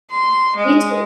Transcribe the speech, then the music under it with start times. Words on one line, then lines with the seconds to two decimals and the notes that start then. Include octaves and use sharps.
Me too.
0.11 C6
0.56 G#3